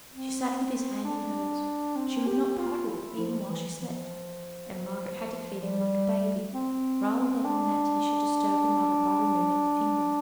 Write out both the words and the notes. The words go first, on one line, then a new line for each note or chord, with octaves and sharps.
She sate with his hand in hers; she would not part with it even while she slept; and Margaret had to feed him like a baby, rather than that he should disturb her mother by removing a finger.
C4
D4
C4
G4
F4
E4
F3
E3
E3
F3
F3
G3
C4
D4